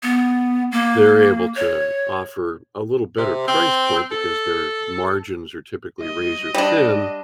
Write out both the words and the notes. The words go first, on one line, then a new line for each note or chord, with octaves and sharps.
they're able to offer a little better price point because their margins are typically razor thin,
B3
A#3
C#5
C3
C4
A4
D#5
G3 D4